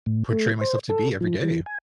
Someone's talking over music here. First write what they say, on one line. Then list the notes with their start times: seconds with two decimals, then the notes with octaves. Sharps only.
portray myself to be every day.
0.06 A2
0.32 A3
0.61 C5
0.89 A4
1.21 F3
1.43 E3
1.66 G#5